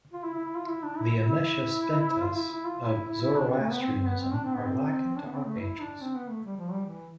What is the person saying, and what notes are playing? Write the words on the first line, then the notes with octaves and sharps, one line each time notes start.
The Amesha Spentas of Zoroastrianism are likened to archangels.
F4
E4
E4
E4
F4
E4
D4
E4
E4
E4
F4
E4
E4
F4
E4
E4
E4
D4
C4
A3
B3
C4
C4
B3
C4
D4
C4
B3
C4
D4
B3
C4
A3
E4
D4
C4
B3
A3
G3
F3
G3
E3